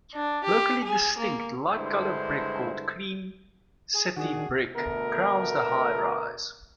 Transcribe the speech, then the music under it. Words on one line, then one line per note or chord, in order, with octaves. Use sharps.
Locally distinct light colored brick called Cream City brick crowns the high-rise.
D4
G4
G#4
A#3
G2 D3 G#3 E4 C5
G#4
D#3 D4 F#4 G#4
D2 B2 A3 B3 A#4